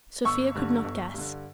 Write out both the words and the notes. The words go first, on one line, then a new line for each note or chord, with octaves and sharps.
Sofia could not guess....
G1 C#6 E6
G2 D3
G1
G2 D3